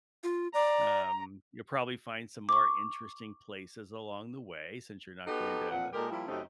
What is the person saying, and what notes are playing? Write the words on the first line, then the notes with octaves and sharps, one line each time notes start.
Um, you'll probably find some more interesting places along the way since you're not going to the
F4
D5 A#5
C#6 D6
B3 D#4 F#4 G4 A4
F2 A#2 F#5
A#2 G#3 D#4 G4 A4 A#4
F3 G3 A#3 E4
F#2 C#3 A3 C4 D#4 G4